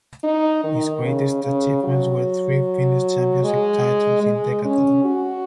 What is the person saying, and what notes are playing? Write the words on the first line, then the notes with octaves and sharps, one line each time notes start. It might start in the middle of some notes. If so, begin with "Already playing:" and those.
His greatest achievements were three Finnish Championship titles in decathlon.
D#4
D#3
C#3
C#3
F#3
G#3
G#3
C#4
F#4